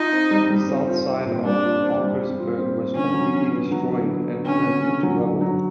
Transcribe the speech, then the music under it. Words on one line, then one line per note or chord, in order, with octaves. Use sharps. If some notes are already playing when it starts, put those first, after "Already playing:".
The south side of Parkersburg was completely destroyed and turned into rubble.
Already playing: D#4 F4
C4
G3
G3
C4
F4
C4
A#2
G3 D4
F4
C4
G3
G3
F4
C4
C4
D3 C#4
F#3
D3
B3
F#3
D3
B3
D3
D3 C#4
D3
D3
F#3
D3
F#3